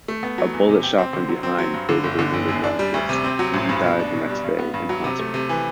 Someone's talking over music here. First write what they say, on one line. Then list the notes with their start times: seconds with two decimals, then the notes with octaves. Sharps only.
A bullet shot from behind fatally wounded Männikus and he died the next day in hospital.
0.08 A3
0.23 B3
0.38 F#3
0.53 E2
0.69 C3
0.83 G4
0.98 C4
1.13 D3
1.28 F#3
1.43 C4
1.58 F#3
1.74 G2
1.89 D3
2.04 G1
2.19 D3
2.34 G1
2.48 F#2
2.64 D4
2.79 G3
2.94 D2
3.09 C3
3.24 C4
3.39 F#3
3.54 A1
3.69 G2
3.84 B2
3.99 D4
4.14 B2
4.30 G3
4.44 G2
4.59 B3
4.74 G2
4.89 F#3
5.04 C3
5.19 A3
5.34 C3
5.49 E3